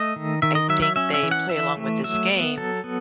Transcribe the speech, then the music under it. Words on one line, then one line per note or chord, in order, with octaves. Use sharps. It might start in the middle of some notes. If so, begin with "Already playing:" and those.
I think they play along with this game
Already playing: A3 D#5
D#3
D#3 E5
D#5
F#3 E5
E5
C#4 E5
E5
E3
F#5
E3 E5
A3
F#3 E5
B3
F#3 A4
B3